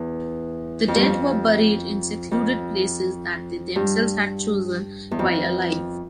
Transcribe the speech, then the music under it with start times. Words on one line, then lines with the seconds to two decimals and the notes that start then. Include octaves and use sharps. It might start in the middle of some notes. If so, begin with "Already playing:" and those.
The dead were buried in secluded places that they themselves had chosen while alive.
Already playing: E2
0.88 F2
0.95 G2
1.02 F2
2.31 F2
3.76 G2
5.11 E2
5.19 F2